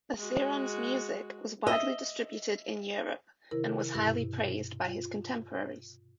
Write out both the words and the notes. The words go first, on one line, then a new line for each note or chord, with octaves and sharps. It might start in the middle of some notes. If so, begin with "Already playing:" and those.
Basiron's music was widely distributed in Europe, and was highly praised by his contemporaries.
G#3 F#4
D#5 E5 E6
C3 D#3 E4 A#4
G2 B2 E4 E6 A#6
F4